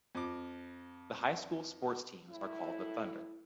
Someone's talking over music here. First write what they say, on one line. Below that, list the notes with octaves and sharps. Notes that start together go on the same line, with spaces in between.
The High School sports teams are called the Thunder.
F2 D6
A2 E4